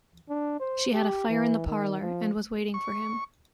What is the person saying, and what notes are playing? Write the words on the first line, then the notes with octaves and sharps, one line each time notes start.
She had a fire in the parlour, and was waiting for him.
D4
C5
G4
E3
D#3
F3
C#6